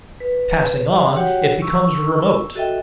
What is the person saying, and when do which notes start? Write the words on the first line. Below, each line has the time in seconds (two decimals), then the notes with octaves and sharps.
Passing on, it becomes remote.
0.20 B4
1.16 F#4 G4 C#5 F#5 G5
1.62 C#6 E6
2.55 F#4 A4 D#5 E5 G5